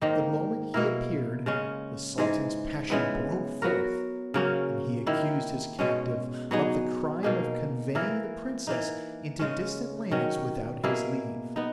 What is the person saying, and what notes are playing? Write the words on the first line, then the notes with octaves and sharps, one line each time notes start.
The moment he appeared the sultan's passion broke forth, and he accused his captive of the crime of conveying the princess into distant lands without his leave.
G#2 D#3 A#3 D#4
B2 A#3 E4 A#4
C#3 G#3 C#4
G#2 E3 G#3
C#3 E3 G#3 B3
F#3 B3 F#4 A#4
C#3 F#3 A#3 C#4
D#3 A#3 E4
B2 G#3 C#4
F#3 B3 D#4 G#4
B2 A#3 D#4 G#4
E3 A#3 E4 A#4
E3 A#3 D#4
C#3 G#3 C#4
D#3 F#3 C#4
B2 A#3 E4 G#4
B3 D#4